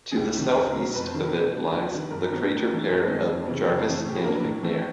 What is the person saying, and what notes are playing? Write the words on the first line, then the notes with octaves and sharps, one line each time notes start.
To the southeast of it lies the crater pair of Jarvis and McNair.
G#4
C#2 G4
C3 D#3
C#2 A#4
B2 F#3
F2 B4
C5
C3 D#3 B4
A#4
B2 B4
G3 B3 D4
D#2 B4
D#3 G3
G2 A#4
D#3 F#3 B3
A2 A#4
E3 A3 D4
G2 G#4
D#3 G#3 B3
F2
C#3 E3 G3 B3
F2 G#4
C#3 E3 A3 C#4
A2 G4
G#4
F#3 A#3 D4 A#4
B4
A2
E3 A3 C4